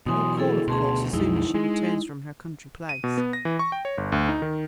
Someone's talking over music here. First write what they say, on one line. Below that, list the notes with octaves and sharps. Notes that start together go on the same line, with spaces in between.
You'll call, of course, as soon as she returns from her country place.
B2 E3 F#3 G#5 C6 D#6
E4 G#4 A4
D2 B2 G#4 A5 C6
B1 F2 G#3 D#4 E4
G#3
D#7
B2
B3
A#6
E3
C#6
G5
C#5
G1
D2
D#4
D#3